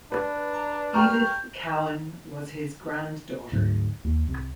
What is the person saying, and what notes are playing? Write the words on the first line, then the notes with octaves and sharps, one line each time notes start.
Edith Cowan was his granddaughter.
D4 B4
A#5
G2 G5 A#5 C#6 F6 G6
D2 G#2 F#3
D#2
C2